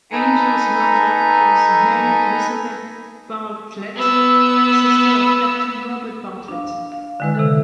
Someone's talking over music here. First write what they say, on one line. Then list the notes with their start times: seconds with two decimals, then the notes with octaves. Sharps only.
Angel's mother was Mary Elizabeth Bartlett, sister of Captain Robert Bartlett.
0.12 D#4 A4 B4 G#5 A#5
3.96 B3 E6
6.48 D4 F5
6.92 F5
7.20 D3 D#3 G#3 E4 B4
7.35 C3 E3 A4